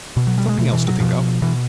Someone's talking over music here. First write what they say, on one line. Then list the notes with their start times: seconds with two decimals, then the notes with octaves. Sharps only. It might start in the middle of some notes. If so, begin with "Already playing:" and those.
Something else to think of.
0.17 B2
0.27 F#3
0.38 G3
0.48 G#3
0.58 B2 A3
0.73 E3
0.87 F#3
1.00 B2 F3
1.42 B2 E3